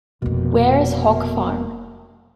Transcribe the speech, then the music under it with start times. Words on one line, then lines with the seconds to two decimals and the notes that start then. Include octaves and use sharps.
Wares hog farm.
0.22 F1 F2 B2 A#3